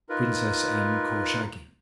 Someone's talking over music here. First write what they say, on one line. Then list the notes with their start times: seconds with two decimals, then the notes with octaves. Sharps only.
Princess M. Korchagin.
0.09 D#4 F4 A#4 B4